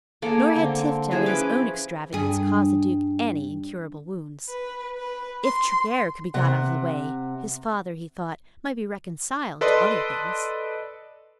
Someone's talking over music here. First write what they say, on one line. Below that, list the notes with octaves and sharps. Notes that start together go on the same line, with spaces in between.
Nor had Tifto and his own extravagance caused the Duke any incurable wounds. If Tregear could be got out of the way, his father, he thought, might be reconciled to other things.
A#3 G#4 A4 D5
D3 C4
F3 E4 G#4
C#4 B4 D6
G2 G#4
B4
B4
C6
C3 F#5
A4 B4 D5 D#5 C6